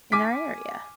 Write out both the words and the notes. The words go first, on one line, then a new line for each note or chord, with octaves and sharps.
in our area?
G#5 D6 B6